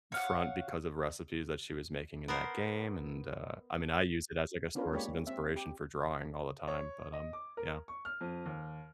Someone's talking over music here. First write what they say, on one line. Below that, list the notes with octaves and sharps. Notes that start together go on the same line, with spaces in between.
front because of recipes that she was making in that game, and, uh I mean, I use it as, like, a source of inspiration for drawing all the time, but, um, yeah.
C#5 F5 F#5
B3 A#4 C5
B3 C#4 D4 F4 A#4 B4
G#3 A#3 G4 C#5 D5 B5
C4 E5
G4
C#5
D#5
D6
A#4
C#6
F6
F2
D#2